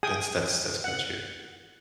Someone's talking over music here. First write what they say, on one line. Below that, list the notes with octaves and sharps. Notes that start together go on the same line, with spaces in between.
That's that's that's quite true.
G#4 G5 G#5 D#6
F#5